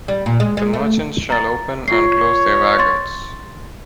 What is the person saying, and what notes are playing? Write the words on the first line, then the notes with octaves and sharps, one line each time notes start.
The merchants shall open and close their wagons.
G3
A#2
G#3
G#3
A3
A#5 A6
F4 C#5 C7
C6 A6